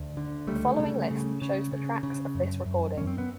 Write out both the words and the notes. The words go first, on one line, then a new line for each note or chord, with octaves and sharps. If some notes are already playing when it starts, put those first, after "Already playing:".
The following list shows the tracks of this recording.
Already playing: D2
D3
C#2 G3 A3
C#3
C#3
C#3
C#3
C#3
F#2
F#2
F#2 C#4
C4
B3